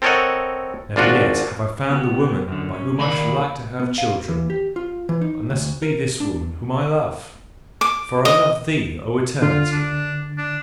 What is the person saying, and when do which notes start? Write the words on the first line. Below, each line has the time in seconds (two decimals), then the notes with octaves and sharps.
Never yet have I found the woman by whom I should like to have children, unless it be this woman whom I love: for I love thee, O Eternity!
0.02 C4 A4 A#4 C#5 D#5 F#5
0.96 G#1 D4 F4 F#4
1.90 B3 F#4 G4
2.48 F#2 D3
2.73 C#4
2.99 D#2 D#3 A#3 D5 B5
3.80 B3
3.98 F5
4.29 E3
4.50 G4
4.76 F4
5.09 E3
5.21 D#4
5.50 D2
5.82 A#4
6.20 D4
7.81 D6
8.25 D#5
9.42 D3 F4
9.72 D4
10.38 D4